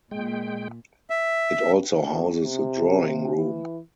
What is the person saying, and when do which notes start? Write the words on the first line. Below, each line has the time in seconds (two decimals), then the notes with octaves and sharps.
It also houses a drawing room.
0.11 A#2 G#3 G5
1.10 E5
2.02 D2
2.45 C3
3.36 E3